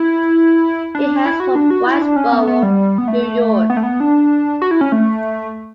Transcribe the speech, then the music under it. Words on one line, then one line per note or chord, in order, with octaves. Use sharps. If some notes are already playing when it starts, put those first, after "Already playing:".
He hails from Whitesboro, New York.
Already playing: E4
D4
E4
F#4
D4
F#4
E4
D4
C#4
B3
B3
G3
B3
A3
B3
A3
B3
D4
F#4
E4
C#4
A3